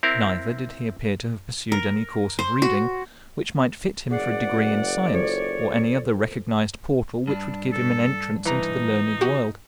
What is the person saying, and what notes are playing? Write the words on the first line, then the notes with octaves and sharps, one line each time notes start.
Neither did he appear to have pursued any course of reading which might fit him for a degree in science or any other recognized portal which would give him an entrance into the learned world.
C4 E4 A#4
A#4
C5
F#4
F#1 G#4 D5 F#5 D6 C7
F4 A4 C5 C#5
G2 D4
A4
E3 D#4 A#5
F#4 G4